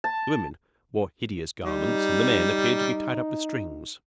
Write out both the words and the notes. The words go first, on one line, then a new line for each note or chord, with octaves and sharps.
The women wore hideous garments, and the men appeared to be tied up with strings.
A5
G3 D#4